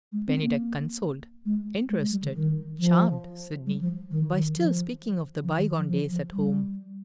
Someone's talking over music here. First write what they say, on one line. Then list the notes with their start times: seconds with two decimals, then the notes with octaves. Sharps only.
Bennydeck consoled, interested, charmed Sydney, by still speaking of the bygone days at home.
0.12 G#3
0.27 C4
0.42 A#3
1.45 G#3
1.89 G#3
2.01 G#3
2.11 G3
2.23 D3
2.34 D#3
2.79 F3
3.66 G3
3.81 F3
4.11 D#3
4.33 D#3
4.55 F3
5.43 F3
5.56 D#3
5.78 F3
5.88 F3
6.10 F3
6.32 G3